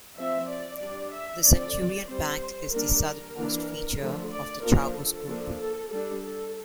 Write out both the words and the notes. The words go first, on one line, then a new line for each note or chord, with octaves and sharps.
The Centurion Bank is the southernmost feature of the Chagos group.
F3 C4 E5
D5
G3 D4
E5
D3 F3 C4 D5
G3 C4 C5
G3 A#3 D4 A#4
A#4
E3 A#3 D4
D3 F3 A3
D5
F3 A#3 D4 A#4
A4
F3 A#3 D4
A4
G3 D4 A4
A4